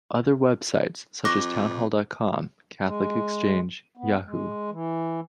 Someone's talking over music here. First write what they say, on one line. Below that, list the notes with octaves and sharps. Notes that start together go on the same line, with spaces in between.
Other web sites such as Townhall dot com, Catholic Exchange, Yahoo!
F2 C#6 D6 F#6 A#6
G#3
B3
G#3
E3